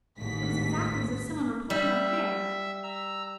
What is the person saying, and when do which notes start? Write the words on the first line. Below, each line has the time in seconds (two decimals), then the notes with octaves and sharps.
"It was exactly as if someone were pulling my hair."
0.18 A1 D#2 G#2 B6
1.70 G3 E5 E6
2.83 A#5 E6